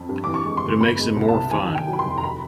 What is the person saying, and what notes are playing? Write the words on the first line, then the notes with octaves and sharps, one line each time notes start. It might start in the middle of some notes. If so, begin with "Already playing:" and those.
But it makes them more fun!
Already playing: F2
G2
E3 D6
C#6
G#3
C6
G1
B2 B5
G#3
C2
A5
C2
D#2 G#5
D#3
G5
F#3
B5
C6
F1
A#5
B5